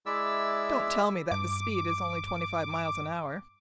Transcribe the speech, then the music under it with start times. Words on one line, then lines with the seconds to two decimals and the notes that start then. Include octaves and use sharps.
Don't tell me that the speed is only twenty-five miles an hour.
0.06 G#3 E4 D5 E5 E6
1.31 G2 D6